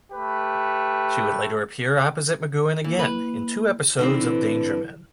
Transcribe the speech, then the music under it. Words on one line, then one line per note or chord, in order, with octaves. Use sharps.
She would later appear opposite McGoohan again, in two episodes of "Danger Man".
A3 G4 B4
E3 A#3
B4
D3 E3 C4 D#4
B4